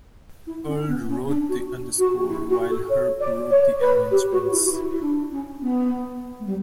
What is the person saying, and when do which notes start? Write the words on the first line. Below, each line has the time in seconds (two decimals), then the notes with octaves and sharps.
Earle wrote the underscore, while Herb wrote the arrangements.
0.47 E4
0.67 C#4
0.88 B3
1.08 C#4
1.28 D4
1.49 F#4
1.99 F#4
2.30 E4
2.50 F#4
2.70 A4
2.89 C#5
3.20 D5
3.50 C#5
3.80 B4
4.11 G4
4.32 F#4
4.52 E4
4.65 F#4
4.71 E4
4.90 E4
5.02 D4
5.32 C#4
5.62 B3
6.40 A3
6.46 G3